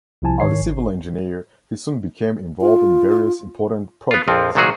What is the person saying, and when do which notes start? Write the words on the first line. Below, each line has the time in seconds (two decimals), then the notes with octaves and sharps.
As a civil engineer, he soon became involved in various important projects.
0.22 C2 C3 F3 E4 G#5 A5
0.40 G#2 D#3 C#5 C7
0.62 G#1
2.61 F4
4.11 B3 F4
4.28 A#1 F2 F3 C4
4.55 C2 A#2 D#3 F#3 F#4 G#4